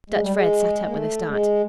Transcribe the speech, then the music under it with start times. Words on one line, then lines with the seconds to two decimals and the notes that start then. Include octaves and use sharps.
Dutch Fred sat up with a start.
0.10 G#3
0.21 G3
0.32 G#3
0.86 A#3
0.93 A3
1.27 G#3